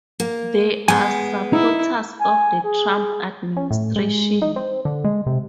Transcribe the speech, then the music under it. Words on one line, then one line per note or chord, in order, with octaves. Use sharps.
They are supporters of the Trump administration.
A#3
G#3 B3 G#5
D#4 E4
G#5
G#4
C#4
A2
G#3
D#4
C4
D3
G#3
C3